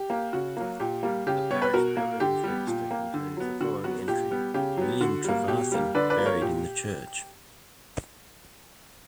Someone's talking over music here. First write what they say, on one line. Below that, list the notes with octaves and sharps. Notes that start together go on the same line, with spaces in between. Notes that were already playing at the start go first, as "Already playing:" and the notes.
The parish burials register contains the following entry 'William Trevarthen buried in the church.
Already playing: G4
A#3
C#3 F#4
F#3 A#3
A#2 G4
G3 A#3
C#3 G4
G3 B3 C#5
B4
B2 F#4 A#4
A#3
D3 G4
G3 B3
A#2
A#3
D3
F#3 B3
D3 F#4
F#3 B3 F#4
A#2 G4
G3 B3
C#3 G4
F#3 B3
D3 F#4
G3 A#3
B2 G4
G3 A#3
D3 B4 D5
B4 D5
F#3 A#3
A#4 C#5
A#2 G4